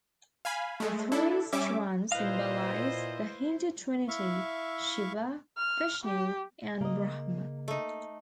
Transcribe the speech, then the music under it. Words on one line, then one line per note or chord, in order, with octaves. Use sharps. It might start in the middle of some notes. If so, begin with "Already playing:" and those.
The three strands symbolise the Hindu trinity - "Shiva", "Vishnu" and "Brahma".
F5 G#5 B5
G#3 A3
D4 E4 A4
G3 C#4 E5 D6
A#2 E4 B4 C5 D#5 F5
E4 E5 F5 C#6
F6
G4
C#3 A#3 D#5
A3 D#4